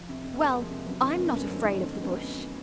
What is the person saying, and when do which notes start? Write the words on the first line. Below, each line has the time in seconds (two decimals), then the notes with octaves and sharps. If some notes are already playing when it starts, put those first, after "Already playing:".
"Well, I'm not afraid of the Bush."
Already playing: F3
0.09 C3
0.24 F2
0.40 G#3 A#3 C4
0.55 F3
0.70 C3
0.86 F#3 B3 C#4
1.02 D#3
1.09 B3 C#4
1.17 G2 A#3 C4
1.33 A3 B3 C#4
1.44 C4 D4
1.49 F#3
1.56 C#4 D#4
1.64 D#3 D4 E4
1.80 A3 C4 D4
1.91 C#4 D#4
1.94 F#3
2.02 B3 C#4